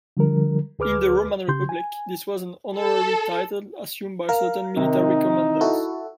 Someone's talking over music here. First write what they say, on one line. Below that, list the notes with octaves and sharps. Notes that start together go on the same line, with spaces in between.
In the Roman Republic, this was an honorary title assumed by certain military commanders.
D3 F3 G3 A#4
D2 G#4 B4 D6 F6
C#3 G4 C6 G6
G#5
A4
A#4 F5
C3 D#3 D#4
E4 F#4 A4